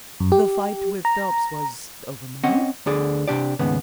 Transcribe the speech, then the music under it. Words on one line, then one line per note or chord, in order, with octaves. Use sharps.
"The fight with Phelps was over money?"
F#2
G4
A#5
C4 C#4 D#5 F#5
D2 D3 G#4 D5
C3 D4 G4 D5
D#2 G#2 C#3 B3